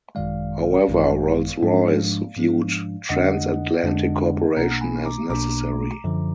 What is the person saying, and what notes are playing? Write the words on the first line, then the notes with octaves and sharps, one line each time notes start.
However, Rolls-Royce viewed transatlantic cooperation as necessary.
G#1 F#2 D#3 G#3 D5 F5
G#1 F#2 D#3 G#3
G#2 F3 G#3 D4
G#2 F3 G#3 D4
F2 D3 G#3 D4 D#5 F#5
F2 D3 G#3 D4
B1 B2 A#3 D4 F#5 A#5
G#5 B5
A#5 D6
B1 B2 A#3 D4 A#5 D6
F#2 D3 F3